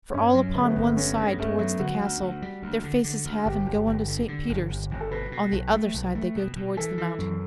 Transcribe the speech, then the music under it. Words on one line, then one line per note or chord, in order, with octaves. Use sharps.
For all upon one side towards the Castle Their faces have, and go unto St. Peter's; On the other side they go towards the Mountain.
G2 C#4
F#3
D3 B3
A3
B3
G1
G2 C#4
G2
B3
G2 A3
B3
F#3
D3 F#4
D2
D2
G3
D2
D3
D3
D2
G1 G4
G1
G1
D3
D3
G1
G1
G1
A4
B2 B4
B2
B1
A3
B1
A3
B2
B2
E3 A4
E3
F#2